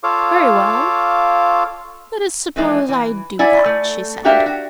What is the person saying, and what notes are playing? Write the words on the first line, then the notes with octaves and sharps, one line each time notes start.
"Very well, let us suppose I do that," she said.
F4 A4 C#5 F5 D6
D#3 E3 G#3 D4
E3
E4 D5 E5 F#5 G#5
A3
D4 F#4 G4 A#4 E5 F5
F#4